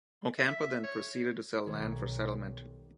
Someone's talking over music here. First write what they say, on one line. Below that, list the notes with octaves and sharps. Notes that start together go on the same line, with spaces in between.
Ocampo then proceeded to sell land for settlement.
E5
C#5
B1 D#3 G3 C#5